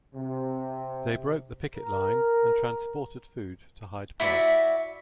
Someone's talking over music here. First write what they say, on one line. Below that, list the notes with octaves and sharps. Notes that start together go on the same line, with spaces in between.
They broke the picket line and transported food to Hyde Park.
C3
A#4
E4 F#4 D5 E5